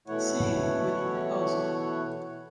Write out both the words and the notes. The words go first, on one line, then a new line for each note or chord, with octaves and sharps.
Singh with the proposal.
B2 E3 A3 E4 C#5 F#5